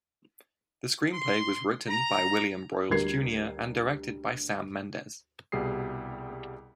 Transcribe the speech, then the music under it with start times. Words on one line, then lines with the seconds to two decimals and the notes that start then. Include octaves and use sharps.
The screenplay was written by William Broyles Junior and directed by Sam Mendes.
1.14 C6
1.88 A#5
2.90 D2 G3 A#4 G#6 C7
5.52 C2 B2 G3 G#4 D#6 C7